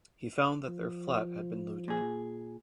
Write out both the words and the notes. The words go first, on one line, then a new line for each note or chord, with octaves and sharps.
He found that their flat had been looted.
F3
A#2 G#4